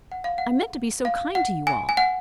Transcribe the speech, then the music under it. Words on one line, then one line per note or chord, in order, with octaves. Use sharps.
"I meant to be so kind to you all."
F#5
F5
F#5
F5
F#5
G#5
G#5
F#5